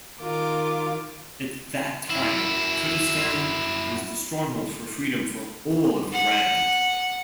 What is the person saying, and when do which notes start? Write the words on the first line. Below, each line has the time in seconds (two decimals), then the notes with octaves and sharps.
At that time, Kurdistan was the stronghold for freedom for all of Iran.
0.20 D#3 F4 A#4 D6
2.10 F#2 E4
6.12 F#5